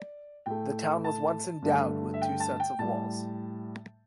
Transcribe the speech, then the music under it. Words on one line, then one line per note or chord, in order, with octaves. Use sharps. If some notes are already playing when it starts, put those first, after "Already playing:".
The town was once endowed with two sets of walls.
Already playing: D5
A2 A3 G5
A5
G2 D3 A3
E5
G5
A5
G5
A2 G3 A5